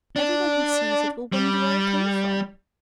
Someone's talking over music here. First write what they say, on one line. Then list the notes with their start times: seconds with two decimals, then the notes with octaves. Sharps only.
"Every one who sees it will wonder where it came from."
0.16 D4
1.32 G3